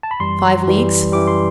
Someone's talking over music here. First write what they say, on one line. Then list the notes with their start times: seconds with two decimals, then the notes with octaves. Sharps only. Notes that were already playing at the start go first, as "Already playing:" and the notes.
"Five leagues."
0.03 A5
0.11 B5
0.20 F#2 E3 G3 C6
0.66 F#2 E3 G3
1.12 F#2 E3 G3 D6
1.27 C6